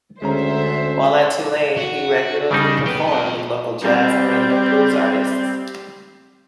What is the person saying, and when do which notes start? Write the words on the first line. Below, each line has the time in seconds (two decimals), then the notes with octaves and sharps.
While at Tulane, he regularly performed with local jazz and rhythm and blues artists.
0.22 D2 D3 G#3 C#4 C5 E5 A#5
1.77 F#4
2.51 C#3 G3 D4 D#4
2.86 B3 G5
3.08 C4 A5
3.82 G3 C4